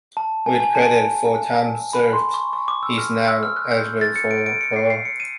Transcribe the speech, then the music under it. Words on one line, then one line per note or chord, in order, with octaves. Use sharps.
With credit for time served, he is now eligible for parole.
A5
G#5
G#5
A5
B5
C6
C#6
C#6
D6
E6
F6
E6
F6
F#6
G6
A6
C#7
D7
D7
C#7
C7
C7
C#7
D#7